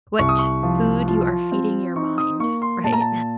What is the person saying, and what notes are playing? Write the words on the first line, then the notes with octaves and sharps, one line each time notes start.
what food you are feeding your mind. Right?
C2 C#6
D#6
C#6
F3
F4
C4
D#4 C#6
D#6
A#3 C#6
C6
A#2 A5
A#5
A5